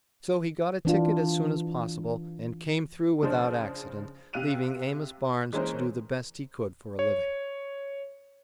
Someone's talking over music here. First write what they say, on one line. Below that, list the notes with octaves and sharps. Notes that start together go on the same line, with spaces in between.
So he got a ticket as soon as possible, and came through without accident, leaving Amos Barnes to do the best he could for a living.
E3 D4 F4
C#3 F3 G#3 D4 C5
C3 F5 F#6 D#7 F7
E3 G#3 A#3 C#4 A#4 C5
C#5